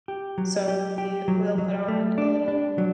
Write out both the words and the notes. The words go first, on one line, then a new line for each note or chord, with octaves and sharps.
So, we will put on a little
G4
F#3
G4
G4
F#3
F#3
A3
D4
D4
F#3